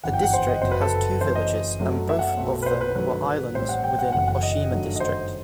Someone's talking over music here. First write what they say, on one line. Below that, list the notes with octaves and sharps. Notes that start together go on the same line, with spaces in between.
The district has two villages and both of them were islands within Oshima District.
G1 F#2 E3 F#5
G5
F#5
C5
D#5
F#1 F#2 F#3 C4 C5
B4
A4
F#2 E3 A3 C5
D#5
F#2 F#3 A3
E5
F#5
B1 B2 A3 C4
B4
C5
B4
G2 D#3 F#3 A3 B4
A1 A2 G3 C4 C5
F#5
G5
F#5
F#1 F#2 E3 A3 C4 F#5
F#5
D#5
G2 D#3 F#3 A3
D#5
C5